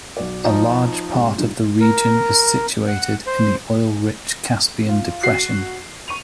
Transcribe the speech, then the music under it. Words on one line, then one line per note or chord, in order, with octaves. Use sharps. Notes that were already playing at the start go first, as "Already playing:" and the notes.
A large part of the region is situated in the oil-rich Caspian Depression.
B1 F#4 D5
F3 D#4
G#2 C3
G2 D#4 F4
A#4
F#5
C5
F4
F#4 C7
C#6 D#7 F7